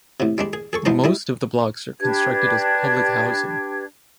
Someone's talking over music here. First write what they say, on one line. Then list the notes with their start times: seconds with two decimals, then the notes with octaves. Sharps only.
Most of the blocks are constructed as public housing.
0.20 A2 C3
0.38 G3 G#3 D4
0.53 G#4
0.73 G#4 A4 C#6
0.85 E2 G#2 E3 C5 D#5 A#5
1.04 G3 E4 D#5
2.01 D4 G4 B4 G#6